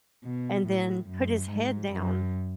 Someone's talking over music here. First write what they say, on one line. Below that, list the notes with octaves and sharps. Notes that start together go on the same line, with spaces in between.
and then put his head down
B2
A2
F#2
G#2
F#2